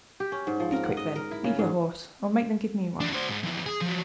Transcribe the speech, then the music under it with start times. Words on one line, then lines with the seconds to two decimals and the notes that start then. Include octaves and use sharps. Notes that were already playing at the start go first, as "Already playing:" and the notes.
"Be quick, then; leave your horse, or make them give me one."
0.20 G4
0.32 C#4
0.47 G#2
0.60 F3
0.72 A#4
0.84 F#5
0.97 D#5
1.16 A#4
1.31 E4
1.44 C#3
1.59 G#2
3.01 C#2 D4
3.13 F#4 C5
3.30 G#2
3.43 F2 E3
3.66 G#4
3.81 F3 F#3